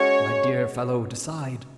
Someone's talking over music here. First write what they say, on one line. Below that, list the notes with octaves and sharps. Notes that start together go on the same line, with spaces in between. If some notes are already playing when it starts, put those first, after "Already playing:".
My dear fellow, decide!
Already playing: G#3 C#4 F#4 C#5